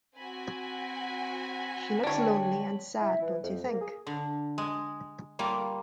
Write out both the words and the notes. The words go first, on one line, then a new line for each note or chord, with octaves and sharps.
She looks lonely and sad, don’t you think?
C4 F#4 G#5 B5
D3 D4 C#5 G5
E4
E3
F2
A#3
G#4
D3
G#3
G3 A#3 F4